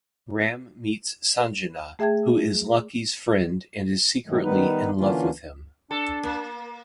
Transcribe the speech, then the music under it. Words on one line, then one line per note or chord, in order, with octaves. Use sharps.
Ram meets Sanjana, who is Lucky's friend and is secretly in love with him.
A3 G#4 E5 G5 A5 G#6
G2 D#3 F#3 G#3 A3
D#3 G3 B3 D#4 B4
D3 E3 A#3 C#4 D4 F4
D4 A4
A#3